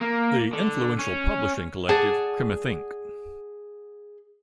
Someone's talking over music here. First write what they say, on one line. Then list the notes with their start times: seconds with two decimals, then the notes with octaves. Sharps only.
The influential publishing collective CrimethInc.
0.01 A#3
0.53 D3
0.99 C#4
1.89 G#4 D5 F#5 A5